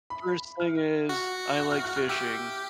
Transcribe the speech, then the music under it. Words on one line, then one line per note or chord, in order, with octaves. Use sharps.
First thing is I like fishing,
B5
F6
F#4
F#6
F6
F#6
F6
G4 E6